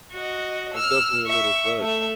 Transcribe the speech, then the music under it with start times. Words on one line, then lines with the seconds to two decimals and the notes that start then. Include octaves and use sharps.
That's definitely a little sad.
0.12 F#4 D#5
0.73 E6 F6
1.27 E5 C#6
1.81 A3 E5